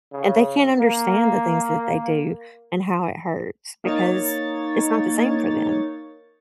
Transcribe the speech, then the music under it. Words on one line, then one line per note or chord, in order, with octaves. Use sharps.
And they can't understand the things that they do and how it hurts because it's not the same for them.
C#3
A#3
A#3 D#4 C#5 A6